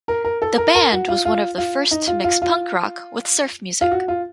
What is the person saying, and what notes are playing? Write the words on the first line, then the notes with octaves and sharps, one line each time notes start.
The band was one of the first to mix punk rock with surf music.
A#4
A#4
A4
A#4
A#4
F#4
F4
F4
F4
D#4
F4
F4
F4
F4
F#4
F4